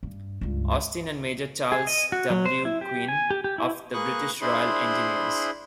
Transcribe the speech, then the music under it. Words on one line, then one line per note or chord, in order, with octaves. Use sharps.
Austin and Major Charles W. Gwynn of the British Royal Engineers.
G2
C#2 G2
G#4
D#5
F#4
F#3
C5
E4
G4
G#5
G4
G4
E4
A#3 G#4 B4 C#6 F#6
D4 E4 G#4 C5 B5 C6